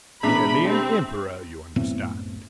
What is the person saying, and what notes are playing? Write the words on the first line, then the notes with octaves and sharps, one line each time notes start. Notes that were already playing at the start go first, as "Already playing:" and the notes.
"Merely an Emperor, you understand."
B2 E3 G#3 D4 E5 A#5 B5
C4 G4
F#2 A2 B3 C4